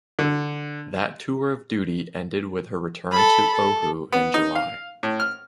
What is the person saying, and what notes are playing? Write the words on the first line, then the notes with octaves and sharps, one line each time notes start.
That tour of duty ended with her return to Oahu in July.
D3
A4 B5
A4
B3
D#4
F5
A2
F6